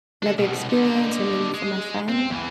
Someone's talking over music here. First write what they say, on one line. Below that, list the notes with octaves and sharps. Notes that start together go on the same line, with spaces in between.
another experience or maybe from a friend?
D4 A4
C2 B2
D3 D#4
G#3
C4
E2 E3